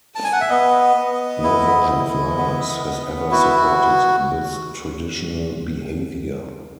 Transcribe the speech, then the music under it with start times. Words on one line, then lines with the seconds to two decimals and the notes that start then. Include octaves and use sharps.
No version of Linux has ever supported this traditional behavior.
0.15 A5
0.24 G#5
0.33 F#5
0.41 E5
0.49 B3 D#5
0.97 B3
1.43 E4
1.90 E4
2.38 B3
2.85 B3
3.31 E4 F#4